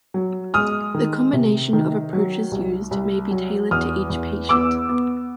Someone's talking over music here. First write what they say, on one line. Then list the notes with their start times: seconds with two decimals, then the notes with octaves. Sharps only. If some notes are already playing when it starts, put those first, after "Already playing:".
The combination of approaches used may be tailored to each patient.
0.14 F#3
0.54 G#3 D#6 F6
0.95 D#3
1.33 C3
1.73 D#3
2.13 F#3
2.51 C2
2.91 C2
3.31 F#3
3.71 E2 D#6 F6
4.10 E2
4.49 B3 D6 E6
4.89 B3